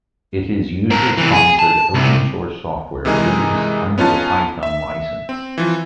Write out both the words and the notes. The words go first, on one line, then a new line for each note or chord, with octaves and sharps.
It is user-sponsored, open-source software, released under the Python License.
C4 A#4
C3 E3
G#4
A5
C2 C3
C3 E3 G#3 D#4 G#4 A#4
B3 C#4 D#4 F4 A5
E5
C4
E3 F3